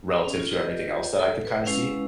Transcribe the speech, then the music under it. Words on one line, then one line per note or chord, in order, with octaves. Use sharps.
relative to everything else that I could kinda see,
C#4
F4
F4 G4 B4 D5 D#5
A4
B4
G#3 C#4 E4 B4 F5 F#5